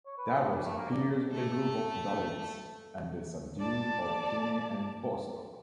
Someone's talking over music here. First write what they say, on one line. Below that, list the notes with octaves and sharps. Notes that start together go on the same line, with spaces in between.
Davros appears with a group of Daleks, and they subdue Orcini and Bostock.
C#5
B4
F3
G3
A3
A#3
D5
A3 A4
D5 A5